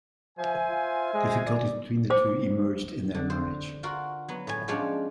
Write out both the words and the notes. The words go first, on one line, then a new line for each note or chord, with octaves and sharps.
Difficulties between the two emerged in their marriage.
F3 C5 E5 G#5
F4
G#3
D5
C5 D6
D3
C5
F4 F#4 A#4
F#3 B3
A2 G#5
F3 G#3 C#4 D4 F4 C#5